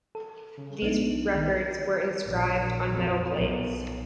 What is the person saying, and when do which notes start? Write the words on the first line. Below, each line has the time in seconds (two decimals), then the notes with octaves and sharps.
These records were inscribed on metal plates.
0.15 A4
0.58 C#3
0.82 B1 B3 D4 D#4
1.35 D#3
2.25 A#1
2.90 F2
3.36 B1